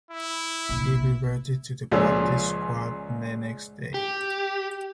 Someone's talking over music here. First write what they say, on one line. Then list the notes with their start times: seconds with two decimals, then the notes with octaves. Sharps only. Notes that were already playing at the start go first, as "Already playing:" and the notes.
He reverted to the practice squad the next day.
0.11 E4
0.69 A#1 C3
1.91 C#2 A#2 F3 G#4 C#5 E6
3.94 G4